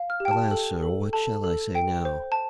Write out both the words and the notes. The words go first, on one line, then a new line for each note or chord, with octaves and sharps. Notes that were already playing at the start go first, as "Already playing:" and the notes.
Alas, sir! what shall I say now?
Already playing: F5
F6
G4
G5
A5
A4
A4
A4 A5
A4
G5
C5
A5